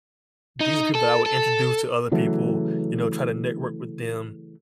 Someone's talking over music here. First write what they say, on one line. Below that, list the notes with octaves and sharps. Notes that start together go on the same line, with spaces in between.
these are people that I would introduce to other people, you know, try to network with them.
D#4
A4
A4
C#3 E3 F#3 A3